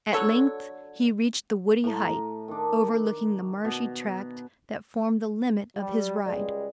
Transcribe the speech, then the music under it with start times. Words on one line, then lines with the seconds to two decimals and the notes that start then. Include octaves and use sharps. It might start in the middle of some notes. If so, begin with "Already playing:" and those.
At length he reached the woody height overlooking the marshy tract that formed the limit of his ride.
0.13 D3 F#3 A4 C#5
1.84 A2 A#5
2.48 D#3 D4
3.65 B2
5.77 G3
6.26 C#2 G3 G#3 D5